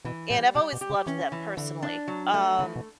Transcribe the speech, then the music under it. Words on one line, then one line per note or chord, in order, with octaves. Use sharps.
And I've always loved them, personally. Um,
B2 E3
A2 G3
B2 G4
B2
G4
C#3
E3 C#4
E3
D3 E3
D4
F#3
A3
C#3 E3
B2